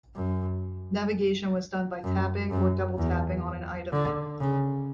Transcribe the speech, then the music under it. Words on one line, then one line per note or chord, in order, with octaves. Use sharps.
Navigation was done by tapping or double tapping on an item.
F#2
F#2
F#2
E2
D3
C#3